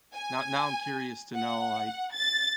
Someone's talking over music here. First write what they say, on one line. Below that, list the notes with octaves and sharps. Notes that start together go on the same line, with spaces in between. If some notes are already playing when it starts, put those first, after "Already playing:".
now now I'm curious to know, like,
G#5
F#5
A6